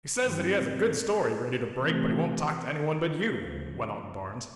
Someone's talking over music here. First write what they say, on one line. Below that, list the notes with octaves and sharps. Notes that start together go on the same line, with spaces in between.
"He says that he has a good story ready to break but he won't talk to anyone but you," went on Barnes.
G2 D#3 G3 C4
C3 E3 A3
D2 C#3 F3